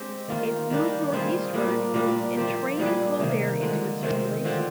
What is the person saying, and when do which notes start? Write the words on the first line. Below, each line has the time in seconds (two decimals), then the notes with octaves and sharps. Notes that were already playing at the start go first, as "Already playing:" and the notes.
It moved northeastward, entraining cold air into its circulation.
Already playing: G#3 C4 D4 G4
0.28 D#3 A#3 F4
0.70 D#3 G3 D4
1.12 G3 C4 F4 G#4
1.53 A#2 G3 A#3 D4
1.94 A#2 G3 A#3 D4
2.36 F3 C4 G4
2.77 A#2 G3 D4 G#4
3.20 C3 D#3 A#3
3.61 D3 F3 G#3
4.02 C3 D#3 G#3 C4
4.44 D3 F3 C4